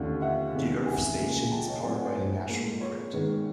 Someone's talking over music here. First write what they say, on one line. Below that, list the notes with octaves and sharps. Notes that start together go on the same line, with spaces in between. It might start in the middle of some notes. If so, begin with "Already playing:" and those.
The earth station is powered by the National Grid.
Already playing: D#2 D3 F3 A3 C#4
E5 F#5
E2 C3 D#3 G#3 C#4
F#5 G#5
C#2 C#3 F3 A#3
G5 A5
C#5 D#5
A2 F#3 A3 C4 C5 D5
F#5 G#5
C5 D5
G#2 F3 A#3
C#5
G#2 D#3 G#3 B3